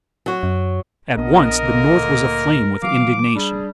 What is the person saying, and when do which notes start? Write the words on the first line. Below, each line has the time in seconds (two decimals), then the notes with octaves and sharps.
At once the North was aflame with indignation.
0.26 F#3 F#4
0.43 F#2
1.17 A#1 B3 D4 A#4 D#5
1.63 D3 A#3
1.97 D2 A#2
2.83 E3 F#3 F5 D6
3.35 G3 D4 G#4